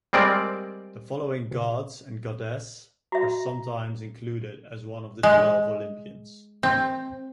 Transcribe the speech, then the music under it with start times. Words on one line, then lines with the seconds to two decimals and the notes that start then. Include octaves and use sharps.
The following gods and goddess are sometimes included as one of the twelve Olympians.
0.13 G3 G#3 C4 A#4 D5
3.12 F#4 E5 A#5
5.23 G#3
6.63 C4